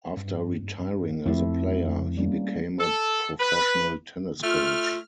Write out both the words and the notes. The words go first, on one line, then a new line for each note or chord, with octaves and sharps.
After retiring as a player, he became a professional tennis coach.
G2
F2 F3 A3 C4 E4
G3 A#3 C#4
A4
B4
A3 F4 F6